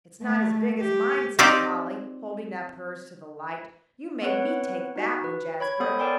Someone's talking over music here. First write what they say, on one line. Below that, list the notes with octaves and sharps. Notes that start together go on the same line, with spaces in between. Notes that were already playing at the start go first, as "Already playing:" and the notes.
"It's not as big as mine," said Polly, holding up hers to the light. "You made me take that one, Jasper."
A3
G4
C4 D#4 F4 G4 D5
B3 C4 B4 C#5 F#5
D#4 F#4
B4
C#5 B5 G#6
B3 A4 C5 G5 B5 D#6
A#4 C#5 D5 G5 G#5 C6